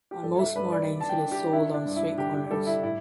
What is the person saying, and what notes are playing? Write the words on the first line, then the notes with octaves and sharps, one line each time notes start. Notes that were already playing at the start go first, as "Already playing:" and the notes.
On most mornings it is sold on street corners.
G4
G2 A4
E5
G2 B4
D5
G3
A5
G5
D4
G4
D4 E4
D4
G2
E4
D3 G4
G4
G3 A4
E4
A2 E4